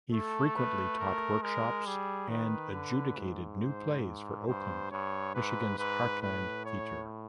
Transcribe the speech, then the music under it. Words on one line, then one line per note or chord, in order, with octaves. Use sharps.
He frequently taught workshops and adjudicated new plays for Oakland, Michigan's Heartlande Theatre.
A3 A4
B4
A#4
G#3 A#4
G3 G#4
D#3 B4
D3
G#2
C5
G2 C5
G2 C#5
G#2 B4
G#2 B4
A2 B4
C#5